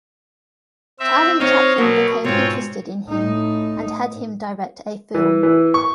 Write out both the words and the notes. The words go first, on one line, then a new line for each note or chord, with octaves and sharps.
Charlie Chaplin became interested in him, and had him direct a film.
C4 E5
C4 D#4 C#5 D#5 F5
B2 F#3 A#3
G#2 B2 C4 F4 C#5
A2 D#4
E3
E3
C#6